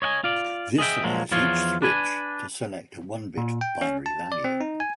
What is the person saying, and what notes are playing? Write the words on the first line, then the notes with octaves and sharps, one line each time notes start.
This allows each switch to select a one-bit binary value.
C#5 D#5 F#5 G#5
F4 D5
G#4 D#5 E5 G5
A#2 F3 F#3 G#3
E2 F3 F4 C#5
D4 B4 G#5
A#2
G5
C#4
A5
D5
C4
D#4
G#5